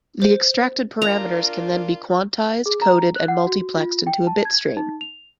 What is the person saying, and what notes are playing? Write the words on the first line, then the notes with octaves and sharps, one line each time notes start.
The extracted parameters can then be quantized, coded and multiplexed into a bitstream.
C5
D4 F4 A#4 A#5
G#4
A#5
F#6
F#5
F#4
F4
G5
A5
G#6
D#4
F7